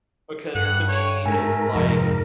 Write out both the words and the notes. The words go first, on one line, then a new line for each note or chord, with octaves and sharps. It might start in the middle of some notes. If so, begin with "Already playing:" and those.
because to me it's like
G2 F#5
C#5
G#2 A3 A#4 G#5
F2 C3 F3